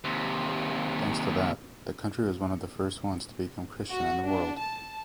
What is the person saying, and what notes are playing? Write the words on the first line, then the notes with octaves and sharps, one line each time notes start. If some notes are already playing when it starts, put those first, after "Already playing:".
Thanks to that, the country was one of the first ones to become Christian in the world.
D#2 C3
F#4
D4
A5